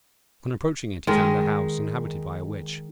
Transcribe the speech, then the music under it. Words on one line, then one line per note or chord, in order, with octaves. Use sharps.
On approaching it, he found a house inhabited by a Witch.
D#3 G#3